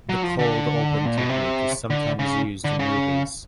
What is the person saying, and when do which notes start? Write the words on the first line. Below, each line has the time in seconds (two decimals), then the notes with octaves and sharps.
The cold open technique is sometimes used in movies.
0.09 F#3
0.23 F3
0.39 D3
1.06 A#2
1.17 B2
1.29 C3
1.90 D3
2.19 C#3
2.64 D3
2.79 C#3